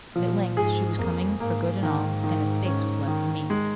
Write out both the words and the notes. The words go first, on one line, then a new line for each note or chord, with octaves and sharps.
At length she was coming for good and all, and a space was left for me.
A#2 F3
G#2 G#4
F2 A#3
G#2 A#3
D#3
D#3
C#4
D#3
G#3